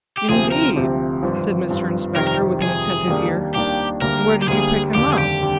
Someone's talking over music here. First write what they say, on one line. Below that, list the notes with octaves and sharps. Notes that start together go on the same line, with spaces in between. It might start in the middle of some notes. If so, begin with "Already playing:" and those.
'Indeed?' said Mr Inspector, with an attentive ear; 'where did you pick him up?'
G4
D2 C3 F3 C4 G4 G#4
A#4
D2 C3 F3 C4 G4
G#1 G2 F3
G#1 G2 F3
F2 C3 D#3 G3 A#4
A#4
F2 C3 D#3 G3 G#4
D#2 D#3 G3 A#3 D4
D#2 D#3 G3 A#3 D4 G4
D2 D3 G3 A#3 A#4
G4
D2 D3 G3 A#3 G#4
F1 D#2 D3 G3 G4
G#4
G4
D3 G3